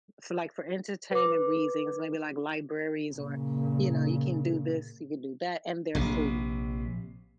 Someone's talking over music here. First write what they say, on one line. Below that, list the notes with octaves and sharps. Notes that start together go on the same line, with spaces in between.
for, like, for entertainment reasons, maybe like libraries or, you know, you can do this, you can do that, and their food,
B4 D6
A#2 C#3
A#1 C3